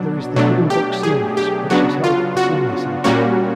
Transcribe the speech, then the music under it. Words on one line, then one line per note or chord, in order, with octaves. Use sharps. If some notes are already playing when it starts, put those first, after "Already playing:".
There is the Green Brook Seniors, which is held at the Senior Center.
Already playing: B2 F#3 D4
B2 F#3 A3 D4
G4
G#4
G4
C#3 F#3 B3 D4 F#4
F4
F#4
A#2 G3 A#3 C#4 F#4